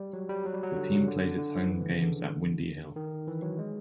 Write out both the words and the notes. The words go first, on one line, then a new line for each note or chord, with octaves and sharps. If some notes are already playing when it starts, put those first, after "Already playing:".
The team plays its home games at Windy Hill.
Already playing: G3
F#3
G3
F#3
G3
F#3
D3
C#3
D3
D3
D3
F3
E3
C#3
D3
D#3
E3
F#3
G#3